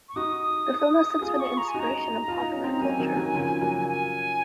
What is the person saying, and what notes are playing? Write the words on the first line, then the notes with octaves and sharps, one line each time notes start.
The film has since been an inspiration in popular culture.
C#6
D#4 F#4 D#6
F4 G#4
D#6
C#6
A#5
G#5
D#4 F#4 A#5
F4
D#4
C#4
C4 D#4
F#3 A#3 G#5
D#3 F#3
D#3 F#3
C#3 F3
F#3 A#3
G#5